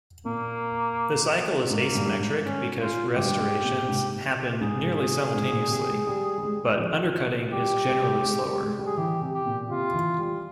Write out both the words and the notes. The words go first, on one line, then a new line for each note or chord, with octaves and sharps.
The cycle is asymmetric because restorations happen nearly simultaneously, but undercutting is generally slower.
A#2 A#3
G#2 A#3
G2
G#2
C#4
F4
G2 G4
G#2
A#2
G#2
G#2 G#4
G#2
A#2
C3
G#3
G3
G3
G#3
F3
G3 G4
G3
G#3
G3
G#3
G3
G#4
E3 G4
C3
G4
A#2
C3 F4
E3
G3